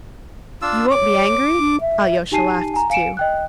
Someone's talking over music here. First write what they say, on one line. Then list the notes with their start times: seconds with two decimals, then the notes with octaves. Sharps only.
"You won't be angry?" Alyosha laughed too.
0.62 D4 F4 E6
0.91 C#5 D6
1.59 D4
1.81 E5
2.32 D#4 G4 G#5 A5 C7 D#7
2.74 G#5 A#5
2.90 F5 G#5 C#7 D7 E7
3.17 D#5 G5 F#6